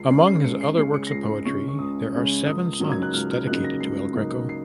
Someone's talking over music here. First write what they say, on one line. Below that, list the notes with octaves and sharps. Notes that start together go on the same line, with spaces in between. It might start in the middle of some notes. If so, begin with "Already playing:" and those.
Among his other works of poetry there are seven sonnets dedicated to El Greco.
Already playing: C#2 C7
C#3 G#3 C#4 C7
C7
C#2 C#7
C7
C#3 G#3 C#4 C7
C#7
A#6
C#2 C7
C#3 G#3 C#4 C#6
C#6
C#2 D#6
C#3 G#3 C#4
C#2 D#6
C#3 F#3 A#3 D#4
G#6
F#6
C#2 F6
F6
C#3 F#3 A#3 D#4 F#6
A#6
C#2 C7
C#3 F#3 A#3 D#4
C7